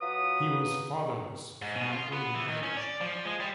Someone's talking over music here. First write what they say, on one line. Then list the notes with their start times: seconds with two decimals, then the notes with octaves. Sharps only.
He was fatherless from an early age.
0.01 F#3 F4 B4 D#6
1.62 G#2
1.76 B2
1.92 F4
2.13 B3
2.34 E3
2.48 D#3
2.63 C#4
2.77 D5
3.01 F3
3.25 G#3
3.40 G3